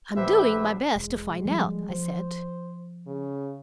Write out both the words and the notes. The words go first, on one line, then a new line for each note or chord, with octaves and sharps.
"I'm doing my best to find out," I said.
A#1 G4 B4 C5 E5 B6
E1 G#3
F3 G3 A3
F3 C5
C#3